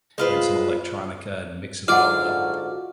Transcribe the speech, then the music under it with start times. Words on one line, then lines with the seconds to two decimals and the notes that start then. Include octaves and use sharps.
and some electronica and mix it all up.
0.18 G#3 F4 B4 C5
1.88 G#2 D3 F4 F#4 D5 F#5 F6